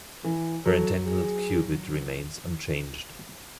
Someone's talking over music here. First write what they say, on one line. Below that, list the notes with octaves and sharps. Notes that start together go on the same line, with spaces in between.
Her entangled qubit remains unchanged.
E3
F#3 A4
G#4